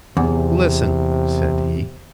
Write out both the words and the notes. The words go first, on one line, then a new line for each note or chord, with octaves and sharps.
"Listen," said he.
E2 C3